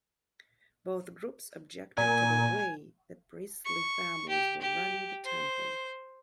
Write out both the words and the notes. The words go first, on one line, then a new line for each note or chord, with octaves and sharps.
Both groups objected to the way the priestly families were running the Temple.
A#2 G#5
C#6
G4
G4
C5